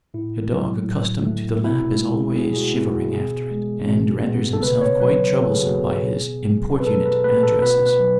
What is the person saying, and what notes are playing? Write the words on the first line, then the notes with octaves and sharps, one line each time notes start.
A dog accustomed to the lap is always shivering after it, and renders himself quite troublesome by his importunate addresses.
A2 E4
F#3
A2
A3
B2 E4
G#3
B2 G#4
G#4
F#4
B3 E4
F#4
B2 G#4
G#3
B2
B3
A4
C#3 B4
C#5
F#3 B4
C#3 A4
G#4
F#4
B3 G#4
B2
F#3
B4
B2 A4
B4
A3 B4
A4
B2 B4
B4
F#3